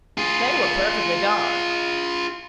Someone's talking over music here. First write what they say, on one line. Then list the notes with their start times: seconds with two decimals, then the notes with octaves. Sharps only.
They were perfectly dark.
0.18 F4 G#4